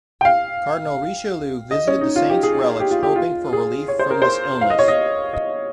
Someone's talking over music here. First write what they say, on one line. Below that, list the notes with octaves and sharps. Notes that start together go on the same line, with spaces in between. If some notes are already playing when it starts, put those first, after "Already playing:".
Cardinal Richelieu visited the saint's relics hoping for relief from this illness.
G5
F5
D#5
C#4
D#4
F4
G4
G#4
G4
F4
G4
F4
G#4
C#5
C5
A#4
C5
F5
D#5
C#5
D#5
D#5